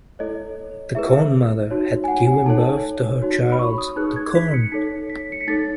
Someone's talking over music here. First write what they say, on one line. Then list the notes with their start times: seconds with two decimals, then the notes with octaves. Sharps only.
The corn-mother had given birth to her child, the corn.
0.19 E4 A4 C#5 D#5
0.95 E4 G#4 B4 E5
1.14 E5
1.70 D#4 F#4 C#5
2.04 G#5
2.08 F#5
2.27 G#5
2.46 D#4 A4 C#5 A5
3.22 D#4 F#4 C#5
3.52 B5
3.59 C#6
3.78 D#6
3.96 D#4 G#4 B4 F#6
4.16 G#6
4.35 B6
4.54 C#7
4.72 D#4 A4 C#5 B6
5.10 B6
5.32 C#7
5.41 B6
5.47 D#4 A4 C#5 A6